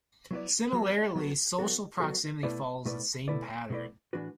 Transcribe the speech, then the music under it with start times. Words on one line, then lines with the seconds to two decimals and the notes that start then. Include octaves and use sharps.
Similarly, "social" proximity follows the same pattern.
0.31 F#3 B3 E4 B4 D5
0.73 F#3 B3 F#4 A4
1.15 F#3 B3 F#4 A4
1.59 F#3 B3 F#4 A4
2.00 F#3 B3 F#4 A4
2.43 B2 A3 E4 B4 D5
2.85 B2 A3 E4 B4 D5
3.28 B2 A3 E4 B4 D5
3.70 B2 A3 E4 B4 D5
4.13 A2 E3 D4 F#4 B4